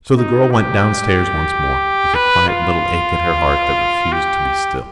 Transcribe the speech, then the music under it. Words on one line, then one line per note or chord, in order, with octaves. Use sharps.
So the girl went downstairs once more, with a quiet little ache at her heart that refused to be still.
D#4
G4
B4
F4
G4